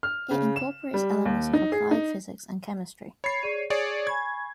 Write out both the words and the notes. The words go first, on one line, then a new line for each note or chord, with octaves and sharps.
It incorporates elements of applied physics and chemistry.
F6
C#3
E7
G3
D#2
D#4
G#4
D#4
C#5 B5 A6 C7
G#4 D5 D#7
G#4 C#5 D5 G#6
G#5 B5 C#6 G#6